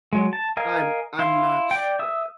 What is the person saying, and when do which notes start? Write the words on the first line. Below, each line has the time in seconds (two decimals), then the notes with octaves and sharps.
I'm I'm not sure.
0.13 F#3 G#3
0.33 A5
0.57 A#4 D#5 F5 G#5
1.19 E4 F5 C6
1.71 D5 G5
1.99 E5 D#6 E6